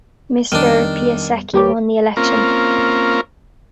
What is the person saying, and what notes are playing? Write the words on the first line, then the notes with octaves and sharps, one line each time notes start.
Mr. Piasecki won the election.
F2 D#3 G3 B3 D4
D#2 G3 G4 B4 C#5 D6
A#3 C4 C#4 F4 A#4